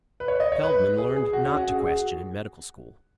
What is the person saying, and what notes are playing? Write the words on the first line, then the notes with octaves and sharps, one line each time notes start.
Feldman learned not to question in medical school.
B4
C#5
D#5
C#5
B4
G#4
G#4
F#4
C#4
F#4
G#4
G#4
F#4